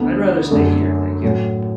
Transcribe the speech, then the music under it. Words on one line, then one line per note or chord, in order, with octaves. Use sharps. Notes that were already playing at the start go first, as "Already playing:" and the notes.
I'd rather stay here, thank you.
Already playing: D2 D3 B3 D4
F#2 D3 A3
A2 F#3 A3